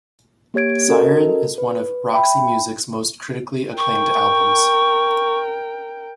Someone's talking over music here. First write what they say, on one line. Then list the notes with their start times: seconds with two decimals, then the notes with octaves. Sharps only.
"Siren" is one of Roxy Music's most critically acclaimed albums.
0.54 A#3 G4 C#5 G#6 D7
0.88 C#4 F#4 A4 A#4 D#5
1.58 B4
2.13 E5 G5 B5
3.78 A#4 G5 C#6